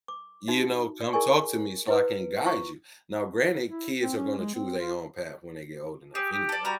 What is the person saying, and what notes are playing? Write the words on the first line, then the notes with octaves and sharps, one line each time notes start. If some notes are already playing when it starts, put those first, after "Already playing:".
You know, "Come talk to me so I can guide you," now, granted, kids are gonna choose they own path when they get old enough anyway.
D6
D#4 F#4 E5
D5
E4 G#4 A#4 D5 G#5 C#6
E4 B4
E4 F4 C#6
E4
C4
C#4
G#3
C4
F4
G4 G#4
G4
A4 D5
G3 F#4 A#5 B5